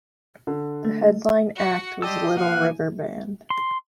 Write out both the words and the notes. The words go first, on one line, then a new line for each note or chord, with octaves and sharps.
The headline act was Little River Band.
D3
A3
F#4 F#5
G4 D5 D#5 A5 C6 E6
F3 A#3 F5 F#5 G#5
C6